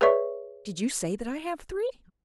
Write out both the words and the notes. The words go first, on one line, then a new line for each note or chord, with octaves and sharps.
"Did you say that I have three?"
G#4 B4 C#5 D5 E5 C#6